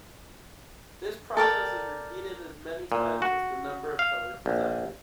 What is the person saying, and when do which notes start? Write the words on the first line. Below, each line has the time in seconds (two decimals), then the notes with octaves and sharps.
This process is repeated as many times as the number of colours desired.
1.37 A4 A#4 D5 G5
2.92 A#2
3.22 F#4
3.99 F5
4.46 A#1